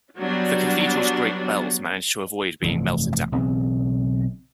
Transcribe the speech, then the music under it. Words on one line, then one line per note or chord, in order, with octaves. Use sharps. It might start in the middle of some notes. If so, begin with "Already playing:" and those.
The cathedral's great bells managed to avoid being melted down.
F#3 G3 B3 D4
F1 G2 E3
B1 C#3 E3 C4